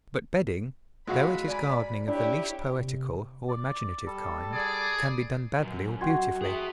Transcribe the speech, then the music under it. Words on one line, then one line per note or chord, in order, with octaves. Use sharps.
But bedding, though it is gardening of the least poetical or imaginative kind, can be done badly or beautifully.
A2 F#3 G#3 B3 F#4 F5 B5
D5 G#5 A#5
D4 E4 G4 C#5
C3
D5
G3 A4
G#4 D5
C#2 F#2 A#2
F#4 G5 C6 G#6
G#4 E5